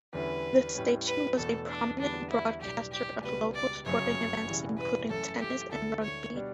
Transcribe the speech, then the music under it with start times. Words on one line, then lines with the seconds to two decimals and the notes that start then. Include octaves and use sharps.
The station was a prominent broadcaster of local sporting events including Tennis and Rugby.
0.13 E2 D3 G3 C#4 E4 B4
0.75 A2 G3 C#4
1.07 B4
1.37 E2 B2 A3 A4
1.68 D4
1.99 E2 D3 G3 B3 D4
2.30 E4
2.61 B1 A2 G3 D4 G4
2.92 G4
3.23 C#2 B2 G3 B4
3.54 D5
3.86 G1 F#2 C#3 F#3 C#5
4.47 E1 E2 C#3 E3 G3
4.78 B4
5.09 F#2 E3 A3 C#4 E4 A4
5.40 G4
5.71 D2 D3 A3 E4 A4
6.03 C#5
6.34 B2 G3 D4